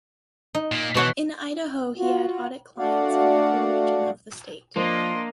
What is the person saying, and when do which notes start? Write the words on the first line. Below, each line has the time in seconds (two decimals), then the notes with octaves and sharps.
In Idaho he had audit clients in every region of the state.
0.54 D#4
0.72 A#2 A#3
0.95 B2 E3 C#5 F#5
1.97 F4 F#4
2.78 A3 D4 F#4 D5 F5 F#5
4.76 F3 A#3 D4 D#5 C6